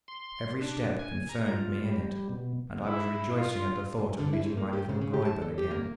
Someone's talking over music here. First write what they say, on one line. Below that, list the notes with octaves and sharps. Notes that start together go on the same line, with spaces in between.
Every step confirmed me in it, and I was rejoicing at the thought of meeting my little Graeuben again.
C6
D4
G#5
A#5
F4
G3
B2
E4
F4
D3
E4
G#2
A#3
G4
C#3
C#3
G4
A5
A4
G4
A#3